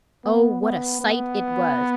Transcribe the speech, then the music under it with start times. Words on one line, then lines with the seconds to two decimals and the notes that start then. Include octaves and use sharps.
Oh, what a sight it was!
0.25 B3
0.62 B3
1.01 B3